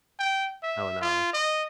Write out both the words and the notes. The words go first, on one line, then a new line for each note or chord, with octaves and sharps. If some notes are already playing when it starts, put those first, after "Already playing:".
Oh, no.
G5
E5
F4
D#5